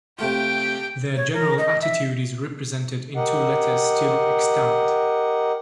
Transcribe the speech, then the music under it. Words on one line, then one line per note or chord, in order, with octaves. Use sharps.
Their general attitude is represented in two letters still extant.
C3 A3 F4 G4 G5
C#5
A#4
D#5
E5
G4 A#4 D#5 F#5